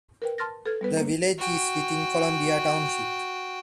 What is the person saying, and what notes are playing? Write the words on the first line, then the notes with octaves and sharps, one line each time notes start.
The village is within Columbia Township.
A#4 B4 G5
A5 C6 F6 A6 A#6
A4 B4 F6 G#6
G3 B3 B4
A#3
F#4 G5